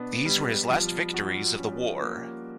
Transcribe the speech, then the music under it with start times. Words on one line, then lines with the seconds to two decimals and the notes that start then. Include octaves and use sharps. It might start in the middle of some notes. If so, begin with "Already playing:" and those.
These were his last victories of the war.
Already playing: B2 B3 D4
0.25 G3
0.70 F3
1.14 F#4
1.59 C#4
2.02 A#3